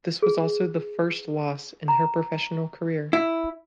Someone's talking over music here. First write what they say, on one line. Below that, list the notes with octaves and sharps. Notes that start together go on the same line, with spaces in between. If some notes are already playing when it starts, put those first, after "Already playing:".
This was also the first loss in her professional career.
G#4
A#5
E4